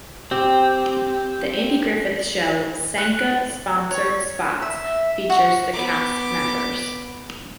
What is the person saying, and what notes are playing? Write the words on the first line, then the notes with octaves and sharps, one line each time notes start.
The Andy Griffith Show Sanka sponsor spots featured the cast members.
C4 G4
F#6
C#5
E5
F#4
B3 D6